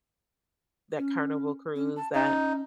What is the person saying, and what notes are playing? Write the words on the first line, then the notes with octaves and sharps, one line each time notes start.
that Carnival cruise that
C#4
C#4
A5
C#4 D#4